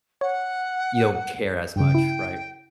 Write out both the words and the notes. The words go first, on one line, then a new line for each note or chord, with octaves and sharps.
you don't care as much, right?
C#5 F#5
G2 C#3 G5
E4